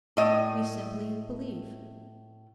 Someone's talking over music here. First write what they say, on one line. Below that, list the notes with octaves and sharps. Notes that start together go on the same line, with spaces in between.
We simply believe.'
A2 D#5